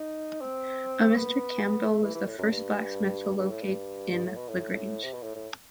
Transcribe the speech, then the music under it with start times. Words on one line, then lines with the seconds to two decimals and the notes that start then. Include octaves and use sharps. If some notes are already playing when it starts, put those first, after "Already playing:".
A Mr. Campbell was the first blacksmith to locate in LaGrange.
Already playing: D#4
0.41 C4
1.16 B3
1.89 A3
2.02 E3
2.15 E3
2.27 A2
2.38 F#2
2.51 G2
3.37 G2
3.50 A2
3.62 G2
4.11 G2
4.25 A2
4.36 B2
4.48 A2
5.03 C3
5.13 B2
5.22 A2
5.36 A2